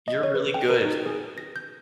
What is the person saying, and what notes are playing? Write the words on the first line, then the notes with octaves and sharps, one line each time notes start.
You're really good.
D#5
C#5
B4
G5
A#4
D#4
G#4
A#6
G6